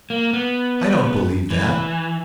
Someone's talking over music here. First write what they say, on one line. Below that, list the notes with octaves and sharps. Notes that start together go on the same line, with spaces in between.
"I don't believe that."
A#3
B3
E3